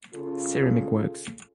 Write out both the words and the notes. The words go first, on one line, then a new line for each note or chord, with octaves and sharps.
Ceramic works.
C#3 F4 A4